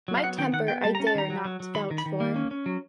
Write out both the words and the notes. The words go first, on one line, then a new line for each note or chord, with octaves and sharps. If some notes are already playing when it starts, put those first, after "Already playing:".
My temper I dare not vouch for.
F#3
F5
B3 F#5
D#3 G5
D#3 F#5
B3 G5
G3 A5
A#5
C#4
A5
D#3 A#5
F#3
F#3
F#3
D#3 B5
D#3
B5
D#3
A#3
C#4
C#4
F#3